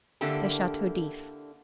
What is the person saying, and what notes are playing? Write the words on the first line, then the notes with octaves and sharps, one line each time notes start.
The Chateau D'If.
D3 A#3 D4 E4 G4 A4